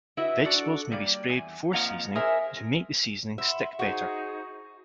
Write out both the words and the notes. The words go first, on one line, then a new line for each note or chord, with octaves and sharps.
Vegetables may be sprayed before seasoning to make the seasonings stick better.
E4 F#4 B4 D#5 E5
D4 F#4 A4 D5
G3 A#3 D5
E2 G#5
F2 F3 A#3 D#5 F#5 A#5
G#4 A#4 C5 D#5 E5 G#5
E5 F#5 B5 C6
D#4 F#4 G#4 C5